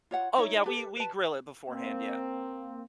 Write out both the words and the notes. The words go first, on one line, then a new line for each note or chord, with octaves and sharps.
Oh, yeah, we we grill it beforehand, yeah.
F4 C#5 F#5
D#4 E4 C#5
G4 A4 B4
B4 A5
A#3 C4